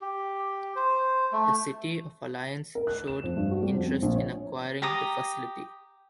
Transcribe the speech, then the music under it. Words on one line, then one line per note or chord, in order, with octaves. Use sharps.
The city of Alliance showed interest in acquiring the facility.
G4
C5
A3
A#4
F#6
E7
F2
G2
F#4
G3
F2
C4
A#1
C#5
G4 A#5 D#6